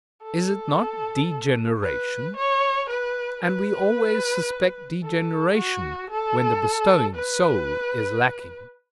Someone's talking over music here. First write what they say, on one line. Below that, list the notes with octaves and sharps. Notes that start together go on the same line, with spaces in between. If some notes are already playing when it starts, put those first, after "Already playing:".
Is it not DEGENERATION?--And we always suspect degeneration when the bestowing soul is lacking.
A4
B4
C#5
B4
B4
A4
F#4
A4
B4